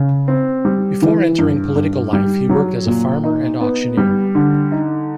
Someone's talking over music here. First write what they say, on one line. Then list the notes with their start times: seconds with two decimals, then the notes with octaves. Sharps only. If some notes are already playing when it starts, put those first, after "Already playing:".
Before entering political life, he worked as a farmer and auctioneer.
Already playing: C#3
0.28 C4
0.65 G3
1.02 E3
1.39 G2
1.76 G2
2.13 G3
2.49 F#3
2.87 A#2
3.24 D#4
3.61 B3
3.97 G3
4.35 D3
4.72 D#4